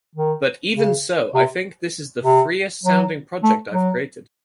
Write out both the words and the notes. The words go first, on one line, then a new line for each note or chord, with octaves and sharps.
But even so, I think this is the freest sounding project I've created.
D#3
C#3
C3
C3
F#3
A3
F#3